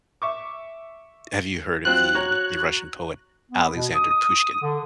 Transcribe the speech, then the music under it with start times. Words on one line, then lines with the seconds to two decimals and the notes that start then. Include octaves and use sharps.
have you heard of the the Russian poet Alexander Pushkin?
0.22 E5 C#6 D6
1.85 F#3 C4 F4 F#6
2.15 F#4 C#5 A#5
3.51 B3
3.75 B2
3.95 D#6
4.62 D3